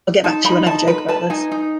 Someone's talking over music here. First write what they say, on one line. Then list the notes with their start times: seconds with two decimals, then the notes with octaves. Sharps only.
I'll get back to you when I have a joke about this.
0.24 D#4 A5
0.44 D#4 B5
0.66 D#4 A5
0.87 B4 B5
1.08 B4 A5
1.30 D#4 G#5
1.52 D#4